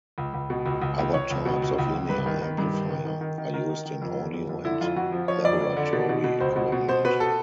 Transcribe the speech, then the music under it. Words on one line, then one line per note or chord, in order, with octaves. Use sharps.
Other types of linear amplifier are used in audio and laboratory equipment.
C#2
C#2
B2
C#2
C#2
C#2
C#2 C#5
C#2
B2
C#2
C#2
C#2
G2 B4
D#3
D#3
G2
D#3
D#3
D#3
D#3
D#3
D#3 A#4
D#3
D#3
F2
D3
F2
F2
D3 E4
F2 F4
F2 F#4
F3
F3 C#5
F2 D5
F2
D3
B2
B2
B2
C#2 C5
B2
B2
B2 C5
B2 B4
A4